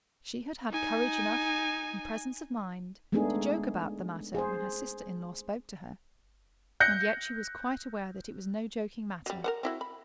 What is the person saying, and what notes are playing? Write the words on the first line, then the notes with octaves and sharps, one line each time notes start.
She had had courage enough, and presence of mind, to joke about the matter when her sister-in-law spoke to her, and yet she was quite aware that it was no joking matter.
D#4 G#5
G#3 A3 B3 D4 D#4 G#4
G#4 C5
F#6 G6 A#6 C#7
F#3 G3
A#4 C5 F#5
C4 E4 F#4
B5